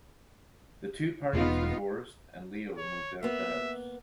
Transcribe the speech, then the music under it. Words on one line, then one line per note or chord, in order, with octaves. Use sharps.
The two parties divorced and Leo moved out of the house.
E1 B3 D#4 F4
C#5
A#3 B3 E5